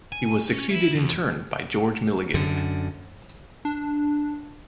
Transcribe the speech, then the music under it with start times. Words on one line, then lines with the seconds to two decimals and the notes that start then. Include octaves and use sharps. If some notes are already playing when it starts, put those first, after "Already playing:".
He was succeeded in turn by George Milligan.
0.12 G#5
0.52 C#4
0.71 E4
0.95 E2
2.34 F#2 D3
3.65 D4